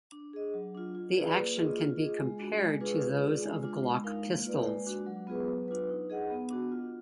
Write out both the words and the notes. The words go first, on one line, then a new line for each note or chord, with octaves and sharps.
The action can be compared to those of Glock pistols.
D4
G#4 D#5
F#3
D4 F4
F4
G#4 B4 D5
A#3
F4 G#4 D#5
F4
G#4 D#5
G#3
D4 F#4
G#3
D4 F4 G#4 B4
F4
G#4 D5
G#3
D4 F4
G#3
D#4 A#4 F5
A#3
F4 B4 D5
G#3
D4 F#4
F#3
B3 F4 G#4 B4
F#3
D4 F4 B4
D#4
G#4 D#5 F#5
B3
D4 F#4
F4